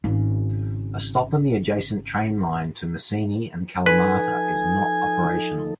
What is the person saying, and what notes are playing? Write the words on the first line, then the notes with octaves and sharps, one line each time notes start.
A stop on the adjacent train line to Messini and Kalamata is not operational.
G#1 C#3
F3 D#4 A4 B4 G#5